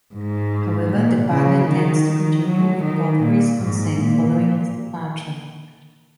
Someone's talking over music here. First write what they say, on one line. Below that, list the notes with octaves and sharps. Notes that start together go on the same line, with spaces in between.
However, the band intends to continue, with Godfrey's consent, following his departure.
G#2
A#2
C#3
D#3
D#3
F#3
D#3
A#2
G#2
A#2